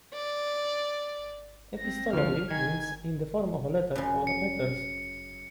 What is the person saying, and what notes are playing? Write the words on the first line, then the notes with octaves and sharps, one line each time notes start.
"Epistolary" means "in the form of a letter or letters".
D5
C4 A#6
D2 F3 F6
D#3 G#5 G#6
F#2 C#3
C#7